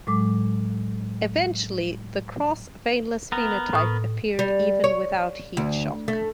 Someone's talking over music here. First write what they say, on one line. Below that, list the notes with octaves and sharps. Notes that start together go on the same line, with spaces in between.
Eventually, the crossveinless phenotype appeared even without heat shock.
A2 F#3 G#3 D6
B3 A#4
A2 D#6
G3
C#5
D2
A3